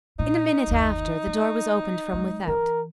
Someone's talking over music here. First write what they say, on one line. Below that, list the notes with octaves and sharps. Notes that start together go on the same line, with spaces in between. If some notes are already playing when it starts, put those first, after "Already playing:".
In a minute after, the door was opened from without.
A#2 D#4
G1 D#2
A#3
F#3 G#3
E3 A#4